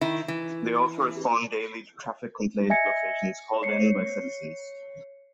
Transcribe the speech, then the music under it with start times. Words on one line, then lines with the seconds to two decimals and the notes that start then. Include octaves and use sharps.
They also respond daily to traffic complaint locations called in by citizens.
0.01 D#3 E4
0.28 E3
2.70 D#5 E5 G#5 G#6 A#6 C#7
3.62 C#5 C7 C#7